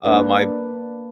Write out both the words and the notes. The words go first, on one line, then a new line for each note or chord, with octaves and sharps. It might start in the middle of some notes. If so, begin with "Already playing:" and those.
Uh, my
A#3 D4 B4 D5